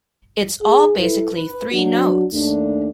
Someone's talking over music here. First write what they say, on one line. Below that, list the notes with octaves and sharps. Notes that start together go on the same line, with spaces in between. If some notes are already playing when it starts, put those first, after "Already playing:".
It's all basically three notes!
G#4
E4 A4 B4
B4
F#3 D4 F#4
D#2 A3 D4